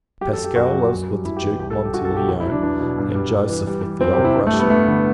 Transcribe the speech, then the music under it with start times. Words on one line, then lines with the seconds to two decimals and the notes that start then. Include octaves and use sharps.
Pasqual lives with the Duke Montelione; and Joseph, with the old Russian.
0.21 F#3 G4
0.33 A4
0.38 F#2
0.44 G4
0.56 F#2 F#4
0.72 F#3
0.91 F#2
1.08 G3
1.25 F#2 E4
1.37 G4
1.42 E3
1.59 C2 G4
1.70 A4
1.77 G3
1.85 G4
1.94 C2 F#4
2.05 A4
2.11 B2
2.17 G4
2.28 E2 F#4
2.40 E4
2.46 F#3
2.52 D4
2.63 E2 D4
2.80 B2
2.98 G2
3.15 G3
3.32 G2
3.49 E3
3.67 G3
3.83 E3
4.01 E2 C4
4.13 G4
4.18 C3
4.24 E4
4.35 G2
4.47 A3
4.53 G3
4.59 B3
4.70 G2 A3
4.88 D3